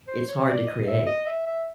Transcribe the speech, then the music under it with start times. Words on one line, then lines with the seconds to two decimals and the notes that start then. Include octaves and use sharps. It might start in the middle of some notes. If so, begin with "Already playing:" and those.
it's hard to create,
0.08 C5
0.28 C#5
0.47 D5
0.66 D#5
0.87 E5
1.06 D#5
1.26 E5
1.46 E5